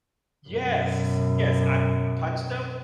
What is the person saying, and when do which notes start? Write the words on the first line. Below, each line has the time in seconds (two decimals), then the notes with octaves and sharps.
Yes, yes, I punched him,
0.49 F#2 B2